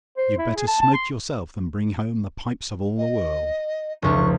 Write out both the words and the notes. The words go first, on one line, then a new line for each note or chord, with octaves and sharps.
You'd better smoke yourself, than bring home the pipes of all the world.
C5
E4
G#4
A5
A5
C6
D#5
F1 C#2 C#6